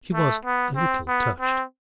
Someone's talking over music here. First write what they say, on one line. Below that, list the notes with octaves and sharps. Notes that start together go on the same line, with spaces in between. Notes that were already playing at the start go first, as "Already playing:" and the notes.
She was a little touched.
A3
B3
C4
B3
C4